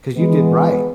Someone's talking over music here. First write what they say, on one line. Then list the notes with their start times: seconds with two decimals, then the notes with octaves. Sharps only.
'Cause you did right.
0.16 E3 G#3 B3